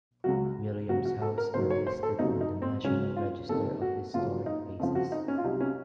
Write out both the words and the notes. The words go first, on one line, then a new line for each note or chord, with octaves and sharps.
Williams House are listed on the National Register of Historic Places.
C#2 C#3 F#3 F#4
D#2 C#3 F#3 F#4
F#4
A4
A#4
F#1 F#2 D#3 F#3 C5
C#5
C5
A4
F1 D#2 C#3 F#3 D#4
D#4
C4
C#2 C#3 F#3 C#4
F4
F#1 F2 C3 D#3 A4
F#4
F#1 F#2 F3 F4
D#4
F2 C#3 F3
F#4
D#4
C#4
F4
C2 C3 F#3 D#4
C#4